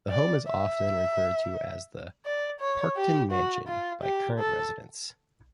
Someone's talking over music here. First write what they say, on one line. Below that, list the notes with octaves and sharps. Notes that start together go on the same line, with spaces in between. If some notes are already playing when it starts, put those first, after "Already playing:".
The home is often referred to as the Parkton Mansion by current residents.
D5
E5
D5
C#5
G4
F#4
F4
G4
A4